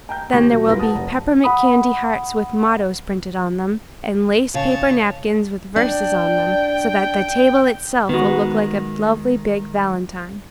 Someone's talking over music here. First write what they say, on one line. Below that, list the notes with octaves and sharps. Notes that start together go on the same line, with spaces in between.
Then there will be peppermint candy hearts with mottoes printed on them, and lace-paper napkins with verses on them, so that the table itself will look like a lovely big valentine.
G5 A#5 G6
D#2 G5 C#6 A#6
B2 F#3
C2 F#2 F4 A#4 B4 A#6
F#5 A5 D#6
F1
F#5 B5 D#6
C#3 C#5 A5
D4 D5 G5
D#3 G#3 B3 F#4